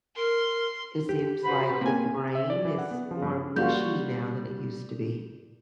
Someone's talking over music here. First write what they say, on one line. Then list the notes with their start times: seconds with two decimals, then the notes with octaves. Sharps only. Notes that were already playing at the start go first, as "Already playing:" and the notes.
it seems like the brain is more mushy now than it used to be.
0.16 A#4 C6
1.09 G4
1.44 F#4 B4 C5 B5
1.81 A2 A#3 C4 G#5
2.35 E5
2.50 D5
2.65 E3
2.78 F#5
2.91 B3
3.11 F3
3.22 G2
3.56 G3 A#3 F4 F#4 G6